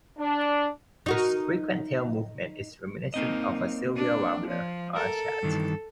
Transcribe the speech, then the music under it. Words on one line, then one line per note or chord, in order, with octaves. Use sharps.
Its frequent tail movement is reminiscent of a "Sylvia" warbler or a chat.
D4
D#4 F#4 A#4
A#3 C4 D#4 D#5
D4
F3
A4 A#4
G2 D#3 E3